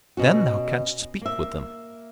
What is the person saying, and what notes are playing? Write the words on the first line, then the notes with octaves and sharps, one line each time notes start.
Then thou canst speak with them.
B2 C#4 F#4
A#3 E5